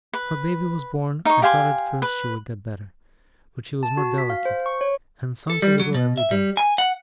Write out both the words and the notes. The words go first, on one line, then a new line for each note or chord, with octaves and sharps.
When her baby was born, I thought at first she would get better, but she was more delicate, and sunk a little every day.
B4
D#4 C#6
G4 F5 G#5 C6
B4
A5
F#4
B6
F5
C5
C#6
C#5
A4
G3
F#3
B2
E5
G3
G#5
F#5